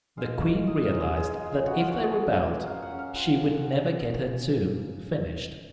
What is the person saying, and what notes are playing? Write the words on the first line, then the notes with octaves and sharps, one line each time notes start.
The Queen realized that if they rebelled, she would never get her tomb finished.
G#3 F5
G#3
D#4 D#5
D#5
F5
G#3
G#4
G#3 G#4
F4
B3 F#4
F4
F3 F#4
G#4
C#4
A#3
C#4 F5
F#5
C#4
F5
F4 F#5